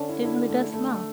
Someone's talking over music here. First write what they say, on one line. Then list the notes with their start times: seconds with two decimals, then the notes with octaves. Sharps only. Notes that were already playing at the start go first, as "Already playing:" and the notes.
It really does smell.
Already playing: D3 C#4 D4
0.09 E4
0.25 E4
0.50 A3
0.74 D3 A3
0.90 A3